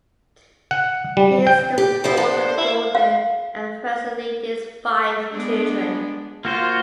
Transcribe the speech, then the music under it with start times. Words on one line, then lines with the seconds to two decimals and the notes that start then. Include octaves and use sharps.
He is the fourth of Gordon and Frances Liddy's five children.
0.71 F#5
1.17 G3
1.47 G5
1.78 G4
2.04 D2 F3 E4 C5
2.17 D4 A4
2.58 E4
2.95 F5
5.34 G#3 B3 D4
6.45 A#3 F4 F#4 C5